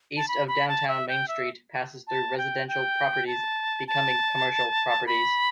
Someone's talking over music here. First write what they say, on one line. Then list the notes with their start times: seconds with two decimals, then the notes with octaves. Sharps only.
East of downtown Main Street passes through residential properties becoming commercial properties.
0.17 A5
0.28 B5
0.48 B5
0.68 A5
0.88 E5
1.08 G5
1.28 E5
2.07 A5
2.38 G5
2.68 G5
3.27 A5
3.88 A5
5.07 B5